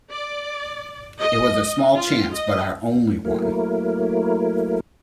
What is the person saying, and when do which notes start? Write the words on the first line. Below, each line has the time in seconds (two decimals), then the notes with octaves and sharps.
It was a small chance but our only one.
0.11 D5
1.20 D#5
1.94 F4
2.33 D#5
3.25 F#3 A3 A#3 E4 A#4